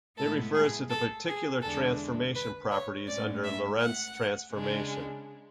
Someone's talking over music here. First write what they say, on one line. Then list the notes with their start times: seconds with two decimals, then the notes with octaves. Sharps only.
It refers to the particular transformation properties under Lorentz transformation.
0.17 A2 G#3 B3 E4 A4
0.54 G#4
0.89 A4
1.26 G#4
1.61 E2 D3 G#3 D4 A4
2.35 B4
2.71 C#5
3.07 A2 G#3 C#4 D5
3.43 E5
3.79 F#5
4.52 C#3 G#3 D4